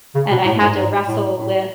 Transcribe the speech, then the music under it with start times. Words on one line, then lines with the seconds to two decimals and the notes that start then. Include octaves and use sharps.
and I had to wrestle with
0.15 C#3
0.31 B2
0.45 A2
0.61 G#2
0.76 G#2
1.08 A2
1.38 A2